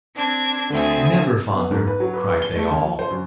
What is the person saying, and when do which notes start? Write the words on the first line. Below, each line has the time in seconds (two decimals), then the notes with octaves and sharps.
"Never, father!" cried they all.
0.15 C4 D4 G#6
0.70 D2 D3 C4 E5 G#5
1.54 B3
1.71 G#2
1.87 B4
2.00 F#3
2.14 B4
2.27 B4
2.42 G7
2.56 A3
2.70 D#2
2.85 F3
2.99 C5
3.10 F#2